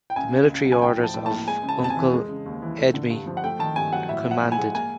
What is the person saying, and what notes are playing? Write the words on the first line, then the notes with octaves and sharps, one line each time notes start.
The military orders of Uncle Edme commanded.
G5
C#2 G#5
C#3
C#2
F#3
G#5
A2 G5
F3
A5
A2
A#3 A5
G#3 G#5
C#3
A5
F2 A5
G#5
E3
G#3
C#3
D#2
E3
A3
D3
G2
F3
F#5
A3 G5
D#3 A5
G2 G#5
F#3 F#5
A2 E5
F3
F#5
A2
G#5
G#3
A#3 G#5